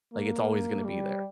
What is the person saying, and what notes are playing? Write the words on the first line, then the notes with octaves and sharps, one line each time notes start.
Like, it's always gonna be there.
A#3
G3